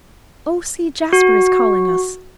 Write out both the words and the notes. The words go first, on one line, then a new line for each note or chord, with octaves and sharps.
"Oh, see, Jasper is calling us."
F#4